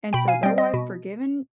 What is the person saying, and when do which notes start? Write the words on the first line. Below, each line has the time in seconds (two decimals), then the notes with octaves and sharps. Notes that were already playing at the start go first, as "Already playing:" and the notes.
and so though I've forgiven,
0.13 B2 G5 B5
0.28 F5 G#5
0.43 G3 C4 D#5 G5
0.58 D#5
0.74 B2